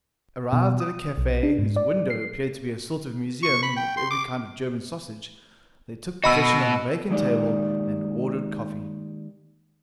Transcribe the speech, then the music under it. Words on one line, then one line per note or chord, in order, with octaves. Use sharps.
Arrived at a cafe whose window appeared to be a sort of museum of every kind of German sausage, they took possession of a vacant table and ordered coffee.
B2
D#6
B1
D4
G#2
D5
C7
C#6
B5
G5
C6
D6
B2 F#4 D#5 B5 E6
D#3 G#3 A#3 D#4 G4 D5